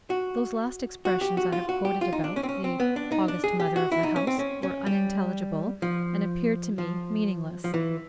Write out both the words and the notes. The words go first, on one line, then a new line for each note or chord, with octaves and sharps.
Those last expressions I have quoted about the "august Mother of the house" were unintelligible, and appeared to me meaningless.
F#4
F#4
G4
F#4
F4
F#4
G4
F4
D#4
D4
C#4
C4
C#4
C4
B3
D4
D#4
D4
G#4
G4
F#4
E4
D#4
C#4
C4
C#4
C#4
G3
F3
F3
F3
E3